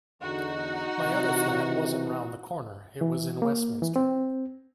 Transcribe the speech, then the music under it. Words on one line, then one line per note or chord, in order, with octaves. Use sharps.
My other flat wasn't round the corner, it was in Westminster.
E2 D3 D#4 F#4
C3 E3
E3
A#3
E3
C4